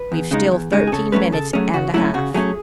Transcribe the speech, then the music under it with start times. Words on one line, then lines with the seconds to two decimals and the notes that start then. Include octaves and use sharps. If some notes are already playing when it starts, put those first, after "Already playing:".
"We've still thirteen minutes and a half."
Already playing: B4
0.12 E2
0.31 C#3 G#3 D#4
0.52 E2
0.72 C#3 G#3 D#4
0.87 G#4
0.92 C#3 A4
1.12 F#3 A3 C#4 B4
1.32 C#3 A4
1.53 F#3 A3 C#4 G#4
1.74 C#3 F#4
1.94 F#3 A3 C#4 E4
2.14 C#3 F#4
2.34 F#3 A3 C#4 G#4